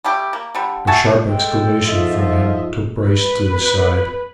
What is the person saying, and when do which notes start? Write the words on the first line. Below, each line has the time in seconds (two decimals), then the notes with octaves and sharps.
A sharp exclamation from him took Bryce to his side.
0.04 G3 A3 G4
0.33 A#3
0.55 D3 G3
0.87 F#4 E5 G#5 A5
1.24 G#3 A4 G5
1.86 G#2 F3 F4 D#5 E5
3.05 B4